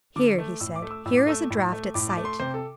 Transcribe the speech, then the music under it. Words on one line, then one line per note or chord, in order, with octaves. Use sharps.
"Here," he said, "here is a draft at sight."
D3 D6
A3
A2 E6
D6
A3
E6
A2 E6
D6
A3 E6
A2
A3
A2 D6
D6
A3
C6
C3 C5
A4